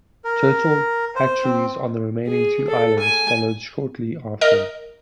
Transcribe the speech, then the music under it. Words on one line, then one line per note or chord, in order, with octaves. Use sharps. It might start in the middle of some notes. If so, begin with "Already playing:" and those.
Turtle hatcheries on the remaining two islands followed shortly after.
A#4
C5
C4
G#4
A4
G#5
A#4 D#5